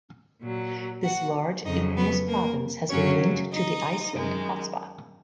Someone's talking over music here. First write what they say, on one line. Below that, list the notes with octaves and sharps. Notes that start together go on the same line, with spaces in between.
This large igneous province has been linked to the Iceland hotspot.
A#2 F#3
F#4 F#5
F2 C#3 F#3 D#4 D#5
B3 B4
A#3 A#4
F#2 C#3 F#3 C#4 C#5
D#4 D#5
F#2 D#3 G#3